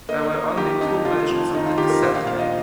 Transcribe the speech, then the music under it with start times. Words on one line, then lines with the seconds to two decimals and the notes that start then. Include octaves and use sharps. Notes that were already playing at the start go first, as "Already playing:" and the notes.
There were only two versions of the cassette made.
0.09 A#3 D#5
0.34 A#3
0.57 D#3 G4
0.81 F2 D#4
1.05 F1 F4
1.30 F2
1.53 D#3 D#4
1.66 F4
1.78 D#3 G4
1.90 A#4
2.02 A#1 C5
2.15 F5
2.26 A#2 F5
2.39 D#5